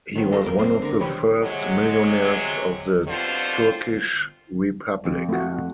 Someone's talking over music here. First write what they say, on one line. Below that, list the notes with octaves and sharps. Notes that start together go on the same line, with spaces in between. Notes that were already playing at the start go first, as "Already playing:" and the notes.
He was one of the first millionaires of the Turkish Republic.
D#3 F#3 A3 B3 C4
F#3 G4 A4 D#5 F5
F2 B2 A#4
F#2 A#3 C4
D3 A#4
C2 E3 G3 G4 C#5 B5
C3 F#3 G#3
G2 B2 D3 C4 F4 C5
F2
A3 F#4